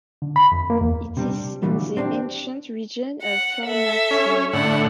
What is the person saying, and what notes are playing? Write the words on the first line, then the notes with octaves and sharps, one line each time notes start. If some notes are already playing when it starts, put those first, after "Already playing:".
It is in the ancient region of Formartine.
D3
B5
F2
A#3
E2
C3 G3 D4
A#2 D3 E3 F#3 G3 A3
C4 D4 E4 G4
F#5
A4 E5
C#4
A2 D3 F#5